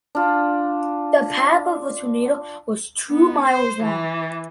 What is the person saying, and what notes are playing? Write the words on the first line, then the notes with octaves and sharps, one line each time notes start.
The path of the tornado was two miles long.
D4 F4
B3
C5
E3